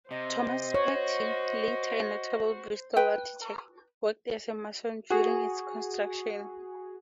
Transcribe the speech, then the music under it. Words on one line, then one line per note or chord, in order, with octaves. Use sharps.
Thomas Paty, later a notable Bristol architect, worked as a mason during its construction.
C3 C5 D#5
F#4 C#5
B4 G5
F#4 G#4